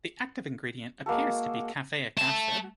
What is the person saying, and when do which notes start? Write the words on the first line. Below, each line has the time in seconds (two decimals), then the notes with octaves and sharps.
The active ingredient appears to be caffeic acid.
1.06 G#3 A#3 F#4 A4
2.18 A3 A5